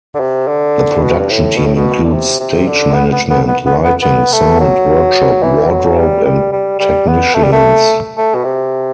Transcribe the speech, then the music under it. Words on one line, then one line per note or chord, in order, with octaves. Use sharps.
The production team includes stage management, lighting, sound, workshop, wardrobe and technicians.
D3
C3
D3
B2
G2
A2
B2
A2
B2
D3
C3
C3
D3
B3
B3
B3
B3
B3
B3
B3
A3
F#3
E3
F#3
G3
G3
G3
G3
B3
A3
G3
A3
A3
B2
C3